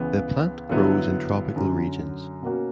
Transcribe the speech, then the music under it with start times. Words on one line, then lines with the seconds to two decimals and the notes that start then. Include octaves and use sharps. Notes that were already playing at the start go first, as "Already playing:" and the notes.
The plant grows in tropical regions.
Already playing: C#2 C#3 E3 B3
0.69 G2 D3 F#3 B3 E4
1.56 F#2 D3 F#3
2.43 B2 A#3 C#4 F#4